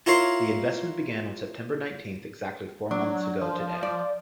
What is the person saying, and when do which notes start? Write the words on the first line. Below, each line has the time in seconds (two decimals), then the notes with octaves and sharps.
The investment began on September Nineteenth, exactly four months ago today.
0.06 E4 F4 A#4 C#5 C6
2.91 F#3 D4
3.41 F3
3.83 D5